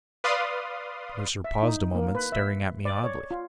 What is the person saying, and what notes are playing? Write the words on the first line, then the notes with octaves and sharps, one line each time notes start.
Mercer paused a moment, staring at me oddly.
B4 D5 F5 C6 D#6
E5
D#4
A#3
B4
E5
D5
C#5
F4